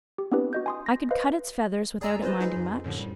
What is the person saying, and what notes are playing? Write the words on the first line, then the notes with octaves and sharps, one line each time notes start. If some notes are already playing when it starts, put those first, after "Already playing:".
I could cut its feathers without it minding much.
G4
B3 C4 D4 E4 G4 B4
F#4 D#5 G6
G#5 C6 D#6
A#6
B4 C5 D#5 F5
D2 G#4 D5 G#5 A#5 E6
F4 B4 C5 D#5
D#4 G#4
F2
F#2 A2 D3 F3
G3